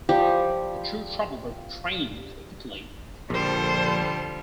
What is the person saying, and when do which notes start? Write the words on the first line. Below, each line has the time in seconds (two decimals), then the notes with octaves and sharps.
The two travelled by train to Italy.
0.09 F3 G3 G4
3.30 A#1 D3 F3 G3 A4 C5